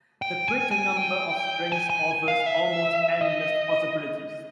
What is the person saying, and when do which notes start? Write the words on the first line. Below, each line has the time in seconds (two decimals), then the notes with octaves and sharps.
The greater number of strings offers almost endless possibilities.
0.22 G5
0.48 G#5
0.71 G#5
0.97 G5
1.72 G#5
1.90 G#5
2.28 F5
2.46 E5
3.21 D#5